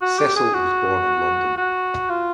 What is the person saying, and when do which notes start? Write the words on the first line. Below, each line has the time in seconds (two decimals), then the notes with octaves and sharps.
Cecil was born in London.
0.01 F#4
0.19 G4
0.36 G#4
0.54 F#4
1.57 F#4
2.09 F4